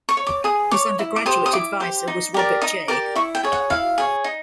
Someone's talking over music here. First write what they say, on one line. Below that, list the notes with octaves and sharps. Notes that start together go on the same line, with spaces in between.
His undergraduate advisor was Robert J.
C#6
C#5
D6
G#4 D#6
C#5 D6
E4
D6
G4 C5 D#6
D#6
E4 D6
G4 C5
D#4
G4 A#4 D5
D#4 D#6
G4 A#4 D5 D6
E4 C#6
G5
G#4 C#5
F#5
E4 F5
G#4 C#5
D#4